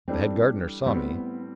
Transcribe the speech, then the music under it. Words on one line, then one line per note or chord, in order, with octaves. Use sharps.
"The head gardener saw me?"
E3 G3 C4 D4 A4
A2 G3 B3 C4